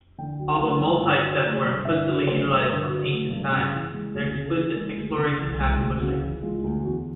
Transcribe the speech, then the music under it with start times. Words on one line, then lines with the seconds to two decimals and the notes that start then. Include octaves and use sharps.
Although multisets were implicitly utilized from ancient times, their explicit exploration happened much later.
0.18 D3 G5
0.39 F#3
0.52 F5
0.60 A3 F#5
0.81 G2
1.02 D3 F#5
1.23 F#3
1.44 A3 D5
1.54 C#5
1.65 G2 D5
1.85 D3 E5
2.06 F#3
2.21 C#5
2.27 A3 C5
2.47 G2
2.62 A#4
2.68 D3 B4
2.89 F#3
3.10 A3
3.31 G2
3.52 C#3
3.72 E3
3.93 G#3
4.15 D2
4.34 C#3 G#4
4.46 A4
4.56 E3 G#4
4.76 G#3
4.97 D2
5.17 C#3
5.38 E3
5.60 G#3
5.80 D2
6.01 C#3 F#4
6.21 E3
6.42 G#3 F4
6.64 D2
6.84 E2 F#4